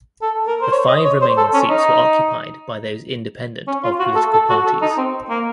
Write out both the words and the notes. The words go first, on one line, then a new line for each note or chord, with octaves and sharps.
The five remaining seats were occupied by those independent of political parties.
A4
A#4
C5
C#5
D#5
C#5
C5
A4
C#4
D#4
C#4
F4
F#4
A4
A4
F#4
A4
D#4
C4
A#3